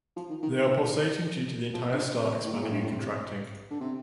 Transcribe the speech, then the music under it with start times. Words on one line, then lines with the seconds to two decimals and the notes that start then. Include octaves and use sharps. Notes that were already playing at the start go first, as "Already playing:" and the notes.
They are pulsating due to the entire star expanding and contracting.
0.16 F3
0.29 D#3
0.43 D#3
0.55 D#3
1.74 F3
1.94 D3
2.13 C3
2.44 A2
2.52 A#2
2.62 A2
2.72 G2
2.82 A2
2.92 C3
3.71 D3
3.81 C3